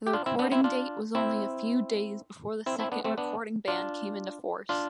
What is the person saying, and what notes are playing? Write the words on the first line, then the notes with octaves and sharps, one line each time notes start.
The recording date was only a few days before the second recording ban came into force.
G4
D4 F4
C4 E4
B3 D4
C4 E4
D4 F4
C4 E4
C4 E4
C4 E4
B3 D4
A3 C4
B3 D4
D4 F4
D4 F4